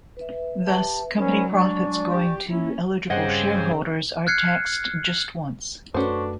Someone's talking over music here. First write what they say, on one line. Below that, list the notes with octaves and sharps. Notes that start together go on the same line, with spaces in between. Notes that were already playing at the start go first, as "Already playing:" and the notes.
Thus company profits going to eligible shareholders are taxed just once.
B4 E5
G4 A5
F#3 C#4 D#4 A#4 C5 D5 G#5 B5
G#3 D4 D5 G#5 C#6
G4
A#3 C#4 E4
G2 C#3 C4 G#4 C5 D#5 F#5
F6 F#6 G#6 C7 C#7
F#2 A3 C#4 D4 F#4 A4 B4 C5